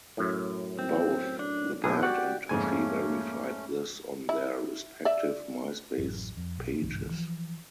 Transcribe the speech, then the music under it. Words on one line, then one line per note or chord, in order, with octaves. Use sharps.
Both the band and Toshi verified this on their respective Myspace pages.
F#2 A2
C4
D4
B1 F#2 G#4
F#4 G4 D5 F#5
F2 G#2 A3 A#3 C#4 G#5
E4
D5 E5
A1 F#2
F2
B1
G1 C2 G#2 E3
E3 F3